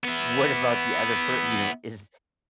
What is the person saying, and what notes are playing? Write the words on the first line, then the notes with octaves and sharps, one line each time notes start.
what about the other per you know, is
B3 E4